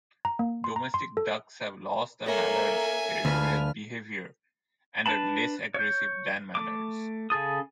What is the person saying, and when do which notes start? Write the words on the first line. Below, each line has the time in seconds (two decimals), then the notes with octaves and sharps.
Domestic ducks have lost the mallard's territorial behaviour, and are less aggressive than mallards.
0.25 A#5
0.39 A#3
0.64 C6
0.76 A#5
0.94 C6
1.17 A4
2.26 A#3 A4 C#5 E5 G#5 A#5
3.25 D2 F4 B4 A5 F6
5.06 D4 B4 A5 B5
5.74 C#5 G6
6.55 A3 D6
7.30 C#3 G#4 A4 D#6